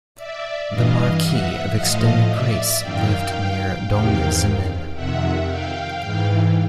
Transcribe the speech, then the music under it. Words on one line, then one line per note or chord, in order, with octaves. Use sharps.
The Marquis of Extended Grace lived near Dongzhimen.
D5 E5
G2 E3 D#5 F5
E5 F#5
A2 F3 D#5 F5
D5 E5
F#2 D#3 F5 G5
E2 C3 D#3 F5 G5
F2 C3 D#3 E5 F#5
F5 G5
G#2 E3